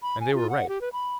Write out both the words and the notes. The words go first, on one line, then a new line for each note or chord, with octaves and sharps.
And they were right.
B5
G#5
F4
F#5
G4
B4
B5